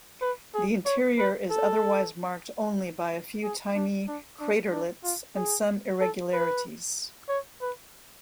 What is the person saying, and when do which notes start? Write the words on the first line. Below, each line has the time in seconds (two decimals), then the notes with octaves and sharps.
The interior is otherwise marked only by a few tiny craterlets and some irregularities.
0.22 B4
0.54 G#4
0.86 C#5
1.19 B4
1.51 A4
3.43 G#4
3.75 D4
4.08 D4
4.40 D4
4.72 D4
5.04 F4
5.36 G#4
6.01 A4
6.33 B4
7.29 C#5
7.62 B4